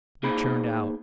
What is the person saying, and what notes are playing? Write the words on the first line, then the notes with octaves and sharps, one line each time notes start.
We turned out.
A#3 D#4 G#4 C5 B5